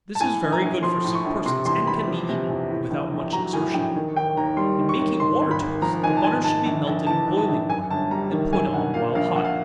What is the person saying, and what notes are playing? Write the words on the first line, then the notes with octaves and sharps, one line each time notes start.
This is very good for sick persons, and can be eaten without much exertion. In making water-toast, the butter should be melted in boiling water, and put on while hot.
A5
A2 G#5
A#1
A#5
A#1
F3 C6
A2
C#6
A#1
C3 C6
E2 C6
E2 B5
F3
C3
E2
A2
A#1
A#1
F#3 A#5
A2 G#5
A#1 G5
D#3
D#2 G5
D#2 A#5
G3 C6
D#3
C#6
D#2
G#2 C6
G#1
B5
G#1
F3 A#5
G#2 G#5
A5
G#1 G#5
G#2 A5
A#1
A#1
E3 A5
G#2
A5
A#1
F#2 G#5
G1 A5
G3 A#5
D#3
F#2 G#5
G1 F#5
A#2 F5
A#1 F5
A#1 F#5
F5